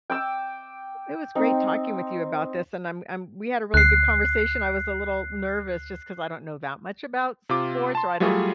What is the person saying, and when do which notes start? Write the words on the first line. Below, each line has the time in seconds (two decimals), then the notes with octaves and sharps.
it was great talking with you about this, and I'm I'm we had a really good conversation, I was a little nervous just 'cause I don't know that much about sports, or I don't
0.10 G5 D6 E6
1.35 C4 D#4
3.74 D2 F#6 C7
7.49 C3 F4 D6
7.95 A5 C6
8.20 F#3 G3 A3 F4 G#4